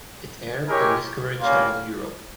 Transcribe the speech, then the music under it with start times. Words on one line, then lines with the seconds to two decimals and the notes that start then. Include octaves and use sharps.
It aired on Discovery Channel Europe.
0.66 G#3 E4 G4 A#4 C#5
1.39 G3 A#3 C#4 F4